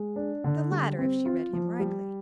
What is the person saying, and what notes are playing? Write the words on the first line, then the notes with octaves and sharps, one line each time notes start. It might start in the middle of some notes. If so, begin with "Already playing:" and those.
The latter, if she read him rightly.
Already playing: G#3
D4
D3
G3
C4
F4
F3
G3